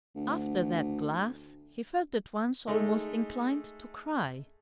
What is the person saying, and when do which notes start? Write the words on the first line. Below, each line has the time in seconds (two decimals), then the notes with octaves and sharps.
After that glass he felt at once almost inclined to cry.
0.15 D2
2.68 G#3 A3 D#4